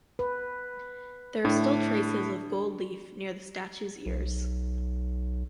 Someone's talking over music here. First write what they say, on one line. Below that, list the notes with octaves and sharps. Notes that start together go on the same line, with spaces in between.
There are still traces of gold leaf near the statue's ears.
B4
A2 D4
B1